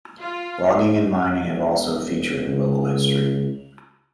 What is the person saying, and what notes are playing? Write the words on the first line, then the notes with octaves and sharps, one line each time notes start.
Logging and mining have also featured in local history.
F4
E1
C#2